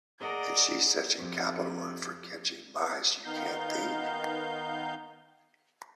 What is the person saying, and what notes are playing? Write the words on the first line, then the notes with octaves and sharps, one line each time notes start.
And she’s such a capital one for catching mice you can’t think!
G#4 A#4 D5 D#5 F#5 A#5
F2 C3
D#3 B3 D#4 F5 G6